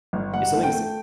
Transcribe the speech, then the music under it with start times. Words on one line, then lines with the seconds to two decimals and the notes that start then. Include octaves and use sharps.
If something's
0.13 G1
0.34 G1 F#5
0.54 A3
0.63 G5
0.73 A3